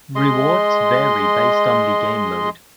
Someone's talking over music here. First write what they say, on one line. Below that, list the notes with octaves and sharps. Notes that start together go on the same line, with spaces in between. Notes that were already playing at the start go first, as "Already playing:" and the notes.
Rewards vary based on the game mode.
G#3 D#5 C6